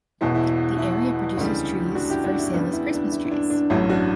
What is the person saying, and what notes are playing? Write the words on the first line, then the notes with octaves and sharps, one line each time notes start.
The area produces trees for sale as christmas trees.
E1 E2 B2 E4
E4
E4
D2 C#3 E3 G3
D4 F#4
E4 G4
D4 F#4
E4
E2 C#3 G3 B3 D4
E4
D4
E4
E4
D4
D4
A1 G2 F#3 E4
D4 F#4